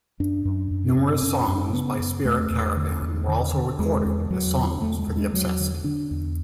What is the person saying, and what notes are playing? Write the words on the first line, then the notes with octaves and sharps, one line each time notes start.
Numerous songs by Spirit Caravan were also recorded as songs for The Obsessed.
F#2 D4
F#2
F#2
F#2
F#2 C#4
F#2
C#3 B3
F#2
E2 A3
E2
D3
E2
D3
D3
E2 G#3
E2
E2 F#3
D3
E2 A3
G#3
E2
G#3
E2 F#3
D3
D3 D4
E2